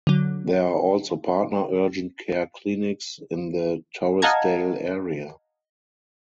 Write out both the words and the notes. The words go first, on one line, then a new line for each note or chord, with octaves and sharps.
There are also partner urgent care clinics in the Torresdale area.
D3 F#3
D#5 F5 F#5 A5 A#5 G#6